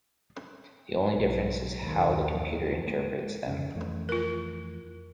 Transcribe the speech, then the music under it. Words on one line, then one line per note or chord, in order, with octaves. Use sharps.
The only difference is how the computer interprets them.
B1
D#2
G#3 A#3
F2 C#3 C#4
F2 E3 A3
F4 A#4